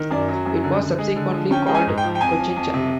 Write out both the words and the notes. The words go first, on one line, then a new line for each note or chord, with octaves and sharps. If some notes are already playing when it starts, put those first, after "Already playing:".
It was subsequently called "Cochinchina".
Already playing: D#3
F#2 D5
F#3
F#2
D3
D3
G#3
D3
F3
C#4 G5
G#3 G5
G#5
G#2
G5
F3
G5
F2 G#5
F3
F2
C3